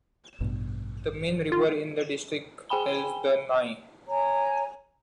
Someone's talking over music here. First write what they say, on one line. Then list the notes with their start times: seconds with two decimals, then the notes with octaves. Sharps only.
The main river in the district is the Nahe.
0.40 A1 G2 B2
1.52 F4
2.69 G#4 G5 G#5 B5 G7
4.08 C#5 G#5 A#5